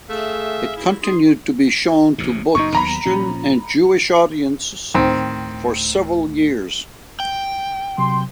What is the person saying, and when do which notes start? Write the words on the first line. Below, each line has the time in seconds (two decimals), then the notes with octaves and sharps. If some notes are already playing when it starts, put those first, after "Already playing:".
It continued to be shown to both Christian and Jewish audiences for several years.
0.09 A3 G#4 E5 F5
0.77 E4
1.03 D#4 G#4 C6
2.18 A1 E2 C3
2.55 F#1 F#2 B2 D#4 C#6
2.75 D#2 F#3 B3 A#5 B5
3.05 A#2 F3 C#4
4.94 D2 A2 D#3 C4
7.20 G5
7.98 C3 F#3 C6